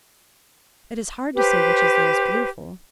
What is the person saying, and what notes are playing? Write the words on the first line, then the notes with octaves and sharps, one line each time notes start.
"It is hard to say which is the most beautiful."
G4 B4 C5